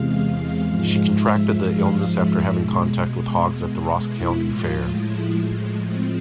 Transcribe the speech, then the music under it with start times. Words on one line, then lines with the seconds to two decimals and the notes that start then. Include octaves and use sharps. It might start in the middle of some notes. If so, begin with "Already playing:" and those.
She contracted the illness after having contact with hogs at the Ross County Fair.
Already playing: E2 C3 G#3 F5
0.67 G#2 F3 G#3
1.15 E5
1.62 F5
2.10 E5
2.57 B2 G#3
4.00 E4
4.47 A2 F3 G#3 F4
4.95 E4
5.90 C4